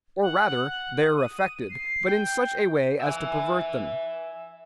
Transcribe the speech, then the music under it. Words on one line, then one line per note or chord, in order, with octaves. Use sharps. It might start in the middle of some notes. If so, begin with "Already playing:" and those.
Or rather, they are affected, but in such a way as to pervert them.
F#5
D#6
D#7
C7
G5
E5 G#5